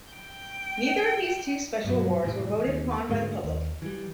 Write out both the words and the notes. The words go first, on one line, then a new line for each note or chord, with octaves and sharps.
Neither of these two special awards were voted upon by the public.
G5
G2 B2 F#3
F1 A2 E3 G3
D#2
D2 G#2 G#3 A3
D#2
E3 G3